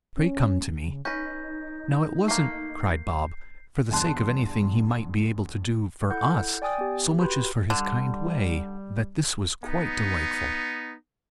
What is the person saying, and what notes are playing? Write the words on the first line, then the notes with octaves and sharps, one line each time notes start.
Pray come to me.' Now, it wasn't," cried Bob, "for the sake of anything he might be able to do for us, so much as for his kind way, that this was quite delightful.
C#4
C#3
C#4 D#4 B4 G6 A#6
A3 A#3 C7
E2 G2 A5 C6 F#6
E4 A4 F#5 G6
D5 G5 G#5 D#6 A6
B3 G4
F#4 G4 B4 B5 C6 G6
D3 G3
B3 D#4